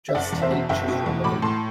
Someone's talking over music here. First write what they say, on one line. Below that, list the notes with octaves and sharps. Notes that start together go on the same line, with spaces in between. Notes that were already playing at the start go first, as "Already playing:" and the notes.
Just Nature's remedy.
E5
F#1 D5 F#5
E2
C5 E5
B2
F#1 E5 G5
B2
E2
A2 B5 D6
A2 A5 C6